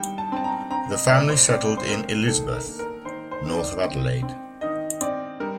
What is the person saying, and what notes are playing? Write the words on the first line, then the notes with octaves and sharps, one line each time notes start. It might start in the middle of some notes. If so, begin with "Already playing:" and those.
The family settled in Elizabeth, north of Adelaide.
Already playing: D#3 G3 G5
A5
C4 A5
A#5
C4 A#5
D#5
A2 D5
C5
C4 D5
C5
C4 A#4
D#3 A4
A#4
A#3
A#4
D#3 C5
C5
D#3
D5
C4
C4
D#3 D#5
C4 D5
G3 A#4